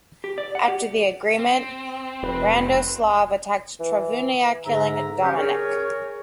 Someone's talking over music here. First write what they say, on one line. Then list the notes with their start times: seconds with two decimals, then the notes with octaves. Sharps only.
After the agreement, Radoslav attacked Travunia, killing Domanek.
0.24 G4
0.38 D5
0.55 F#5
0.68 G4
1.39 C4
2.23 F1 B4
3.80 E3
4.66 G#2 D3 E5 A#5
5.22 G3 C#4 G4 F5
5.36 G#4 A#4 C#5